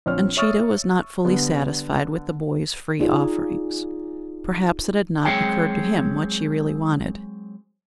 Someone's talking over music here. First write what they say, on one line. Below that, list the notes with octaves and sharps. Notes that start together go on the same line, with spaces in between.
Uncheedah was not fully satisfied with the boy's free offerings. Perhaps it had not occurred to him what she really wanted.
A#1 C4 C5 C#5 F6
C#5 E5 C#6 D#6 F6 A6
D3 G3 B3
D#4 F4 G#4 D5
F#3 G#3 C4 G#4 C#5 G5